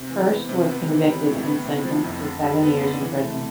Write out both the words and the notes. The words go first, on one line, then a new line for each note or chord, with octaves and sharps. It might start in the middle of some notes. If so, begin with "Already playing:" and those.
Hearst was convicted and sentenced to seven years in prison.
Already playing: C3
E3
B3
C3
B3
E3
G3
A2
B3
C3
F3
F2
D3
G3
B3
D3
E3
A3